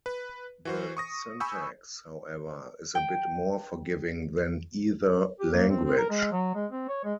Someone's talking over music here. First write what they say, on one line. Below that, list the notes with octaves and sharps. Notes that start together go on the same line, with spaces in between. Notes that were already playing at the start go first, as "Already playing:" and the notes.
The syntax, however, is a bit more forgiving than either language.
B4
E3 F#4 C5
C#6 D#6 A#6
G#5 B5 C#6 D#6 E6 G6
G5
G4
A#3
C4
C4
A#4
G#3
F#3
G#3
C4
C#5
G#3